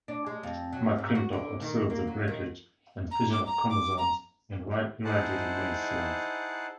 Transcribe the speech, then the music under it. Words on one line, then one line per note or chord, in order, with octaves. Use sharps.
McClintock observed the breakage and fusion of chromosomes in irradiated maize cells.
D4
G#3
F2
F#3
G#2
F#4
D3
D#3
A#3
F#3
D#3
A#5
D6
A#5
D6
A#5
D#4 E4 G#4 C5 F#5 A5